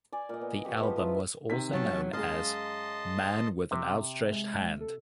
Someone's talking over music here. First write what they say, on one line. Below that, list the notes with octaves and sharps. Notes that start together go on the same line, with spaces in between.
The album was also known as Man with an Outstretched Hand.
D5 G#5
A#2 D#5
B3
G4 B4 C#5 F#5
F3 G#3 B4 C5
F#3 E4 F4 B4
C3 D#3 B6
F#3 C#4 A5
F#2 G#3 D#5 F5 A5 C6
C3
G#3
A4